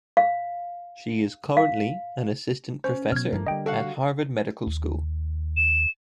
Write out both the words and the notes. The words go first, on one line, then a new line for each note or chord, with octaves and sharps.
She is currently an Assistant Professor at Harvard Medical School.
F5
F5
C#4 C5
B2 F#3 F6 G#6
G2 F3 A3 A#3
D3 G3 D#5 G5
F#4 A4 F5 F#5
D#2
E7